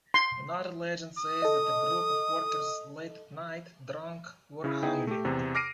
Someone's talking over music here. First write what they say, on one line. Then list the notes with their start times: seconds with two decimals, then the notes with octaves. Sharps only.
Another legend says that a group of workers, late at night, drunk, were hungry.
0.14 C6
1.17 D#6
1.42 A4 D#5
4.64 C#3 C#4 E4
4.83 B3 D#4 E4 G#4 E5 G5
5.07 A3 G4
5.25 E2 C3
5.55 D6 F6 A#6 C7 D7 D#7